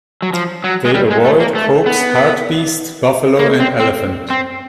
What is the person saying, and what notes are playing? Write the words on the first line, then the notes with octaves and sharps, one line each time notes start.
They avoid Coke's hartebeest, buffalo and elephant.
F#3
F3
F#3
G#3
G3
G#3
A3
A#3
A3
B3
A#3
C4
C4
C4